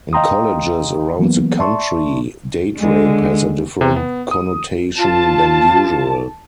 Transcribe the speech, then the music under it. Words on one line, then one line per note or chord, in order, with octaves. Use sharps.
In colleges around the country date rape has a different connotation than usual.
D#5 F5 G5 A#5 C6 D#6
E3 F#3 A#3 B3
D5 E5 A5 C6 C#6
D3 G#3
C3
B3
D#6
F4 A5